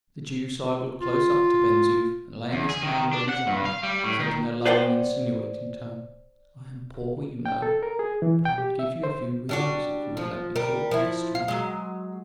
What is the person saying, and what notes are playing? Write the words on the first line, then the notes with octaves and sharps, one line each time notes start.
The Jew sidled close up to Ben Zoof, and laying his hand on his arm, said in a low and insinuating tone, "I am poor, you know; but I would give you a few reals if you would let me talk to this stranger."
F4
E2
G#4
D#3
D4
F#5
G2
F5
G3
A2
D#3
B4 C5 D5 F#5 G5
G5
A4
A#4
G#4
E3
G5
G4
E5
C5
G3 D4 F#4
F3
G3 A#4
F3 E4
F5
F#3 G#3